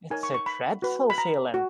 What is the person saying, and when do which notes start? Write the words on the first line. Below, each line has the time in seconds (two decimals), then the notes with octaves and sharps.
It’s a dreadful feeling.
0.10 D#4 A#4 C#5 G#5
0.23 C#6
0.34 C#6
0.46 B5
0.82 F#4 B4
1.10 B5
1.18 A#5
1.54 F#4